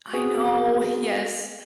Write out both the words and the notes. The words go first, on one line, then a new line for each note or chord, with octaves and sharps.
I know, yes.
B3 C4 F#4 G#4